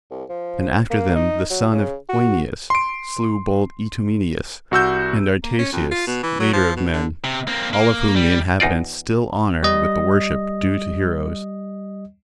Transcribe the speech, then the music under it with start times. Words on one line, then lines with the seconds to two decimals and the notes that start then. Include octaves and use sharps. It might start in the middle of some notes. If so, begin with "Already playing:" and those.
And after them the son of Oeneus slew bold Itomeneus, and Artaceus, leader of men; all of whom the inhabitants still honour with the worship due to heroes.
0.11 C2
0.29 F3
0.90 A#3
1.15 D#4
1.50 F#3
1.73 C#3
2.09 F#4
2.70 C6 D7
4.71 C2 F#4 E6 G6
5.44 A#3
5.59 C#4
5.73 F2
5.92 F4
6.07 B2
6.23 E3
6.40 F#3
6.53 F3
6.77 B2
6.93 D3
7.24 C3
7.47 A#3 C4
7.73 A#3
8.16 G3
8.60 E2 D#4 F4 D5
9.63 G3 D#5